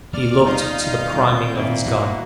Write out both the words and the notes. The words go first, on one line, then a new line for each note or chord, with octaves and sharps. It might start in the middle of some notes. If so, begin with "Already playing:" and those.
He looked to the priming of his gun.
D#2 A#3 B3 D5 F6
G3 D#4 F4 D#5 F5 G6
A#2 C4
D#3 A#3 E4
D#1 E2 G3 F#4